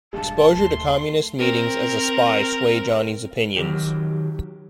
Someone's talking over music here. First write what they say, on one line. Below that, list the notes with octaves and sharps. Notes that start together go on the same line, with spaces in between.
Exposure to Communist meetings as a spy sway Johnny's opinions.
E1 G2 G#3 A5
D#2 A3 C6
C4 A#4
D#3 F#3 G4